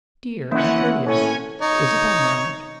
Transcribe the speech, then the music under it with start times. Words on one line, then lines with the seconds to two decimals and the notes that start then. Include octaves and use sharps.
"Dear Aunt Lydia," Isabel murmured.
0.52 E3 A#3 C#4 E4 F#5
1.06 A2 C#4 C#5 G#5
1.62 D#4 C#5